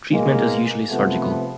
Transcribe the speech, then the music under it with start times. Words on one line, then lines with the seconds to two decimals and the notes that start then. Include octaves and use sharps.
Treatment is usually surgical.
0.12 B2 G#3 A#3
0.89 C3 F3 A3 B3